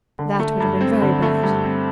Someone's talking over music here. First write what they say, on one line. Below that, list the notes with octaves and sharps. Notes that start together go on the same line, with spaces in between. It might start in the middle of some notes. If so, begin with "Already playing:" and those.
"That would have been very bad."
D3
A3
G2
C4
D3
A3
G2
C4